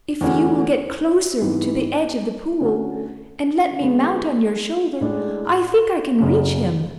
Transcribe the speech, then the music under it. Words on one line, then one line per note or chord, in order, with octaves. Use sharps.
If you will get closer to the edge of the pool, and let me mount on your shoulder, I think I can reach him.'
E2 D3 A3 C#4 F#4
G#2 E3 B3
D3 A3 C#4 F#4
D3 G#3 B3
A2 G#3 D4
F#1 F#2 C#3